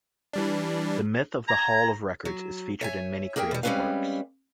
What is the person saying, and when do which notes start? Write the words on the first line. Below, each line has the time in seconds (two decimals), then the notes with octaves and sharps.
The myth of the Hall of Records is featured in many creative works.
0.33 E3 G3 D4
1.48 A#5 G#6
2.25 F#3
2.81 C#5 E5 G#5
3.36 A#3 G#4 A#4 E5 G5
3.51 B2 G3
3.63 G3 G#3 C4 C#4 B4 F5